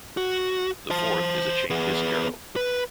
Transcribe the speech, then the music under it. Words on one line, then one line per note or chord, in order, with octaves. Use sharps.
The fourth is a chain disk harrow.
F#4
C5 A5
B3 G#4
B4